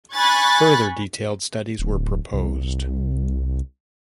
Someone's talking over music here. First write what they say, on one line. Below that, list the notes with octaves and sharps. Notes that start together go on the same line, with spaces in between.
Further detailed studies were proposed.
G#5 B5 C#6 F#6 G#6 A6
D1
C2